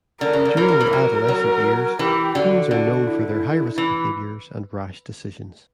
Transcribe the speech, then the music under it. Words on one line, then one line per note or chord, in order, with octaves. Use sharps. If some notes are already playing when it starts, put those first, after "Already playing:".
During their adolescent years, teens are known for their high-risk behaviors and rash decisions.
D3 A#4
C#3
D3
E3 A#4
F#3
E3
F#3 A#4
F#3
E3 G4
D3 F#4
D3 F#4
E4
E3